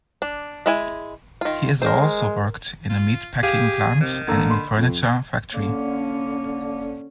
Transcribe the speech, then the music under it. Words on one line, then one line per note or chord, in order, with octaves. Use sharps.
He has also worked in a meat packing plant and in a furniture factory.
D4
G#3 E4 G#5
D#3 F4
G#3 A#4 C5
F4
G4 G#4 F5
C3 D#3
D3 A#3 A#5 E6
B5 C6
F2
D3 A#3 C#4